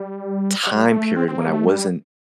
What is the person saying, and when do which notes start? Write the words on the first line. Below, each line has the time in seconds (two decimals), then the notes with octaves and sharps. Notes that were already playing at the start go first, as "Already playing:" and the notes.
time period when I wasn't
Already playing: G3
0.66 G3
0.91 A3
1.16 C4
1.28 C4
1.40 A#3
1.48 G3
1.53 A3
1.66 G3